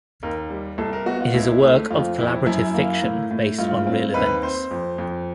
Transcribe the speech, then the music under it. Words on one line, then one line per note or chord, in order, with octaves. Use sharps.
It is a work of collaborative fiction based on real events.
D#2 A#4
G3
C2 A4
A#4
B3 F#4
F4
C#2 E4
A3
F2 F4
F2 E4
F#2 E4
A#3
A2
A2
G2 F4
C4
D#2 B4
C4 C5
F2
F2